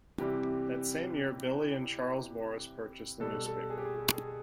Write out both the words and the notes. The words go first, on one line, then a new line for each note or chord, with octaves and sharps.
That same year, Billy and Charles Morris purchased the newspaper.
C3 E3 G3 G4
B2 G3 A4
A4
G#4
G4
G#4
G4
G#4